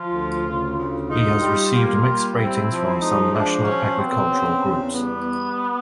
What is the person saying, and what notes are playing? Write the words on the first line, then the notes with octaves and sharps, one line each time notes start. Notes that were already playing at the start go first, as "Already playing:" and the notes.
He has received mixed ratings from some national agricultural groups.
Already playing: F3 F4
D2
C#3
D2
D#4 F4
G3
A#3 F4
G3
C4 E4
F3
G#3 D#4
F3 D4
F#3 C#4
B3 C4
C#3
E2
G3 B3